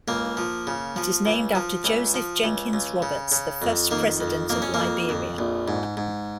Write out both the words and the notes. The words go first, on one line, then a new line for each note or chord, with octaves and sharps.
It is named after Joseph Jenkins Roberts, the first president of Liberia.
C#2 A#3
F3
C#3
F3
C#2
F3
C#2
F3
C#2
C#2
C#3
C#3
F2
D#3 A#3
F2
F2 A#3
C#4
A#3
F2
F2
A#1
G#2
G#2